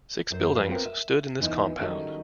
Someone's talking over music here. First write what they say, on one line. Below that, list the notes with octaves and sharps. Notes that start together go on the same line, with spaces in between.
Six buildings stood in this compound.
F#2 C5
F#2 F3 A4 B4 F5
B3 C4 F4 A#4 B4 G5
E5
D#2 E3 B3 D#4 E4
D#3 F#3 G3 C#4 E4 A4